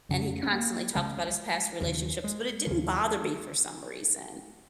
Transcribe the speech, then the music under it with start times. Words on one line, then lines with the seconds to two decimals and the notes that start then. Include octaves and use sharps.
and he constantly talked about his past relationships, but it didn't bother me for some reason.
0.09 F2 C#3
0.43 C#4
0.52 A#3
0.95 C#2 C#3 G#3
1.80 D#2 C#3 F3
2.24 G#3
2.67 D#2 C#3 F3